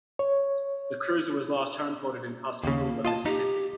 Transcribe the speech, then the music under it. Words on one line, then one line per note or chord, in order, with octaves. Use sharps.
The cruiser was last homeported in Pascagoula, Mississippi.
C#5
D#2 C#3 A#3
F4 D#5 A5
D#4 G4